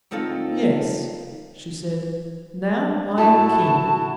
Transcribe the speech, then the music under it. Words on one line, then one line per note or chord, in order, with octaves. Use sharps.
"Yes," she said; "now I am king."
D2 C4 D#4 F4 A4
A2 A3 E4 F#4 A4 A5